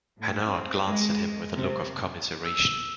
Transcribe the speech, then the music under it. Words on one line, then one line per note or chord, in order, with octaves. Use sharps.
Hanaud glanced at him with a look of commiseration.
A2
C4
G#3
C3
E6